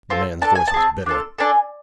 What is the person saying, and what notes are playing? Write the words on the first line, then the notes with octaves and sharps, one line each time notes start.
The man's voice was bitter.
C4 F4 A4
D4 A4 A5
G#5
A5
C4 E4 G#4
D4 F4 A4
D4 A4 G#5